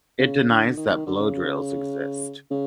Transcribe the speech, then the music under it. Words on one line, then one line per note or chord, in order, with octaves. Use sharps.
It denies that blow drills exist.
C#3
D3
D#3
D#3
D3
C#3
C#3